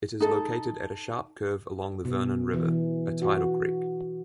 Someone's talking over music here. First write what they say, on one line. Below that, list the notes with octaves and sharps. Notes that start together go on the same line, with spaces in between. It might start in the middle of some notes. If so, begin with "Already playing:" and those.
It is located at a sharp curve along the Vernon River, a tidal creek.
D#4 A4
B2
E3
F#4